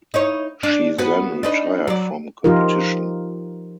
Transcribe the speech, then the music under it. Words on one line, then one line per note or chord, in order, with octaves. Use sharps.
She then retired from competition.
D#4 E4 C#5
D4
B3 F#4 B4
D4 D#4 B4
F#3 D5
F3 D#4 F4 G4 A#4